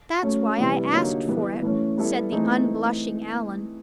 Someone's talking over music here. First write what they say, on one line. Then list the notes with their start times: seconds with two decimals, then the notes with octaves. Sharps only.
"That's why I asked for it," said the unblushing Allan.
0.22 F#3 A3 C#4
0.57 C3 E3 G3 B3
0.92 D3 F#3 A#3 D#4 G4
1.28 E3 G3 B3
1.62 E3 A3 C#4
1.97 G3 B3 E4 A4
2.32 E3 A3 C4 D#4 G#4